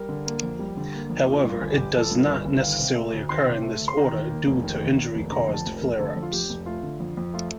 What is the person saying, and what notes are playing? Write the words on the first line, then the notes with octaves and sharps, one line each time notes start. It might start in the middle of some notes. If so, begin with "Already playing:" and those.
However, it does not necessarily occur in this order due to injury-caused flare-ups.
Already playing: G3 A#4
D3
A#3
F2
G3
D3
A#3
F2
F3 D#4
G2
F4
G1
G4
G1
F3 A4
G2
A#4
G1
G1
D#3 F5
C3
A3
D2
D#3 C6
C3
A3
D2
C6
D#3 A#5
D#2
A#3
F1
D#3
D#2
A#3
F1
D3 A#5
F2 A5
F1
A#4
F1
D3 A4
F2
F4
F1 G4
F1
A3 F4
D3
F2
F2
A3 F4